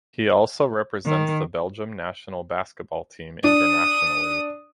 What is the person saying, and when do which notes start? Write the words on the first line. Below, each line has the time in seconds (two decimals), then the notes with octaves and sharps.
He also represents the Belgium national basketball team internationally.
1.06 D#3
3.44 D4 D#6